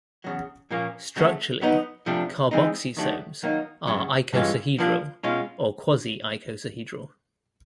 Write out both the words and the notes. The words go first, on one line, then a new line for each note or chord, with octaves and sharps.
Structurally, carboxysomes are icosahedral, or quasi-icosahedral.
E2 C#3 F#3
A#2 F3 A#3 C#4
C#3 F#3 A3
F#3 B3 D#4
C3 F3 A3 D4
E3 G#3 C4 D#4
D#3 F#3 A3 D4 G4
D#3 F#3 A#3 D#4
F#2 C#3 F#3
G2 E3 G#3 C#4 F4
F3 A#3 D4 F4
B2 G#3 C#4 F4